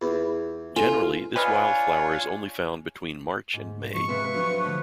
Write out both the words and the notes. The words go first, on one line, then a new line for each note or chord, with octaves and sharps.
Generally this wildflower is only found between March and May.
E2 F4 B5
E4 F4 A4 G#5
D4 F4 B4 C#5 D#5 F5 G#5
G#2
B2 F3 C#6
C3 G#3 A#3 B3 B4 E5 C6
F3 F#3 D4 B4
D3 F3 A3